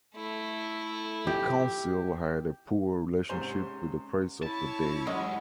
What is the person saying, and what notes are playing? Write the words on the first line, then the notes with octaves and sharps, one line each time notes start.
The Council had a poor relationship with the press of the day.
A3 E4
G4
G#2 C3 C#4 C5
E4 C#5 A5 B5
A1 F#3 G#3 C#4 D#5